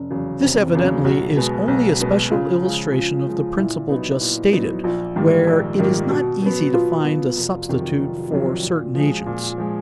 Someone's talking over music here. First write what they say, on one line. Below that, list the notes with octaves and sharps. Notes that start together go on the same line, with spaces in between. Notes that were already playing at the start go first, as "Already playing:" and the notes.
This evidently is only a special illustration of the principle just stated, where it is not easy to find a substitute for certain agents.
Already playing: F1 C#4
E2 C#3 F#3
F1 C4
C4
E2 C#3 F#3
C#4
B1 F#4
B2 G#3 B3
B1
B2 G#3 B3
C#3 F4
F3 G#3
C#3
F3 G#3
A#2 E4
F#3 B3 D#4
A#2
F#3 B3 D#4
A#1 F4
G#2 D#3 G3 A#3
A#1
G#2 D#3 G3 A#3
B2 F#4
F#3 B3
B2 F4
F#3 B3
F1
F2 C3 D#3 F#3
F1
F2 C3 D#3 F#3
A#2
F3 G#3
A#2
F3 G#3